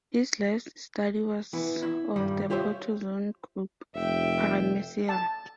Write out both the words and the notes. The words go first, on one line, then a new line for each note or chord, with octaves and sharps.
His life's study was of the protozoan group "Paramecium".
E3 B3
E4
G2 D#3 G3
F4 G4 C5 C#5 E5
F1 E5 G5
A5